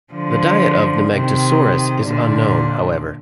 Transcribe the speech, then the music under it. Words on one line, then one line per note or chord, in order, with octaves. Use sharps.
The diet of "Nemegtosaurus" is unknown, however.
D3 F3
C3 D#3
A#2 D3